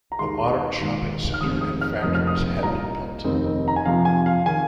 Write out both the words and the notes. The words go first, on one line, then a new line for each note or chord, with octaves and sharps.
A modern shopping centre and factories had been built.
A#5
D#2 D#3 G#3 C6
G#1 G#2 D#3
F6
F1 D#2 D#3 G#3 C4 D#6
D#6
F6
F1 F2 C3 F3 A#3 D#6
F6
D#6
C2 A#2 A#3 D#4 A#5
F1 D#2 D#3 C4 D#4
A#5
G#5
F2 C3 F3 F5
G#5
F5
D#3 G#5